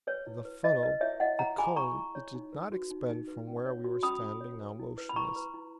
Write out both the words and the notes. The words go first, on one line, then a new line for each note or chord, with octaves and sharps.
The funnel, the cone, did not expand from where we were standing, now motionless.
B4 C#5
E4
B4
E4 D#5
B4 D#5
E4 C#5 E5
E4 D#5 F#5
C#5 F#5 A#5
G#4 G#5 B5
E4 A#5 C#6
E4
C#5
D#4
B4
F#4
D#4
D#4
B4
C#4
C#5
F#4
C#4 B5 D#6
C#4
C#5
B4
E4
B4
B5
E4 A#5 C#6
B4
E4